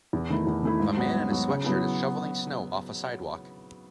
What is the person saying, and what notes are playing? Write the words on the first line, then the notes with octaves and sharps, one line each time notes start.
A man in a sweatshirt is shoveling snow off a sidewalk.
E2
D#3 A3 E4
E2
D#3 A3 E4
G#2
F#3 B3 F#4
G#2
F#3 B3 F#4
C#3
F#3 B3 E4